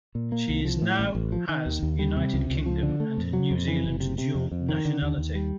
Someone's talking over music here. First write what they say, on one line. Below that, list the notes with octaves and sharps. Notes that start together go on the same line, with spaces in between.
She is now has United Kingdom and New Zealand dual-nationality.
A#2
A#3
C2
F3
A2
A1
A1
F3
D#3
D#2
D#2
G3
C3
C#2
C#2
F3
D3
A3
F2
F#3
F2
E3
F#1
C3
C3
F2
F2
D#3
D3
D#2
D#2
G3